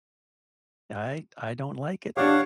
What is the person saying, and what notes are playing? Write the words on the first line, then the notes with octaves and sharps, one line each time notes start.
I I don't like it.
D4 G4 C#5 F5 F#5